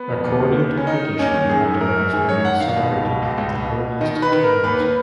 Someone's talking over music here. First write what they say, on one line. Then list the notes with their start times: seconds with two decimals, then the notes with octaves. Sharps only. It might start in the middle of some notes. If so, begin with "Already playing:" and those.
According to tradition Idar has been celebrated from the earliest times.
Already playing: B3
0.09 F2
0.24 D#2
0.40 D#2
0.56 D#3
0.72 D#3
0.77 C#4
0.87 D#3 D#4
1.03 D#3
1.19 D#2 C#4
1.34 D#3
1.49 F#2 G#4
1.65 F#2
1.81 F#2 A#4
1.97 F#2
2.13 D#3 G#4
2.28 F#2 C#5
2.44 F#2 F#5
2.60 D#3 F5
2.76 B2
2.91 C#2
3.06 B2
3.22 C#2
3.38 C#2
3.53 B2
3.70 B2
3.85 B2
4.01 D#3 D#5
4.16 D#3
4.22 B4
4.32 D#3
4.44 D#3 A#4
4.64 D#2 B4
4.80 D#3